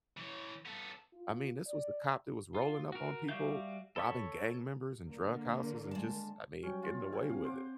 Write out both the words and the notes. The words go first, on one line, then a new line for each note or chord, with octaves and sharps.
I mean, this was the cop that was rolling up on people, robbing gang members and drug houses and just, I mean, getting away with it.
E3 C#5
B3 A4
F4
D5
F4
F#4 A#4
G3 F#4 E5 F5 G6
A4 C#5 B5
D3 A#3
G#3 A5
F#3 G3 C#4 G5
F4
G5 G#5 E6
C4 F5
C5 F#5 D6